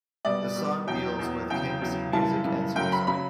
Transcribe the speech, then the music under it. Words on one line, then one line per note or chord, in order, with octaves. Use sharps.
The song deals with Kim's music and suicide.
B2 G3 D5
B2 G3
E2 B2 F#3 G5
E2 B2 F#3
E2 C#3 F#3 G5
E2 C#3 F#3
F#2 C#3 E3 G3 A5
F#2 C#3 E3 G3
F#2 C#3 F#3 G5
B5
C#3 F#3 B5